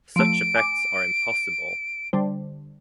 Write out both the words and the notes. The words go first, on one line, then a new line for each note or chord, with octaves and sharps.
Such effects are impossible.
F3 A3 D7
G#5 D6
D3 G3 C5